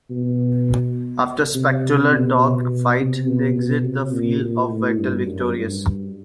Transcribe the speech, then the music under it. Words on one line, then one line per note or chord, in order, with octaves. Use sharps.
After a spectacular dogfight they exit the field of battle victorious.
B2
C3
B2
B2
C3
B2
B2
C3
A#2
A#2
A2
G2
F#2
G2